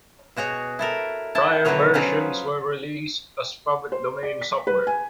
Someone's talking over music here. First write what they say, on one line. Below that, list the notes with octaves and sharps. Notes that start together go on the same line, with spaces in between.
Prior versions were released as public domain software.
B2 F#4 G#4 C#5
E4 A4 A#4
E4 A5
B2 D3 D#3 F#3 B4 C#5
F3 F#3 C#4 F4 G#4 B4
C5
D5
B6
B4
G#5